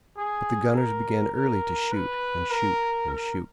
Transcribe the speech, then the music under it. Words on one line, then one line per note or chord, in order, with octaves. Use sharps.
But the gunners began early to shoot, and shoot, and shoot.
G#4
A#4
A#4
B4
A#4
A#4